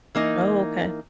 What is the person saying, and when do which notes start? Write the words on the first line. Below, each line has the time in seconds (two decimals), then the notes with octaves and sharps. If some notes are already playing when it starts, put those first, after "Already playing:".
Oh, okay.
0.15 E3 A#3 D#4